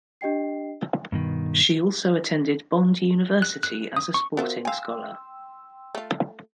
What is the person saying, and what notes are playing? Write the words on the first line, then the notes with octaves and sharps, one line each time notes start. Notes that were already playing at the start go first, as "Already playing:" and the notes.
She also attended Bond University as a sporting scholar.
D4 G4 D#5 G5 C7
G2 B2 D#3
F#6
F#6
D#6
C#6
B3 F4 F#4 A#4 C5 E5
F5 G5 G#5 C6 E6
A3 F4